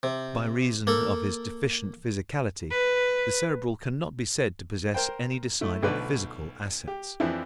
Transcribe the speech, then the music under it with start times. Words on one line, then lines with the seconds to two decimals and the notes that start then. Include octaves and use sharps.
By reason of his deficient physicality the Cerebral can not be said to possess any decided physical assets.
0.03 C3
0.87 A#3 A4
2.71 B4
4.94 A#4 C5 G5
5.61 A3 E4
5.83 B1 D3 F3 A3 B4 D5
6.87 G4
7.20 F2 E3 F3 D4 E4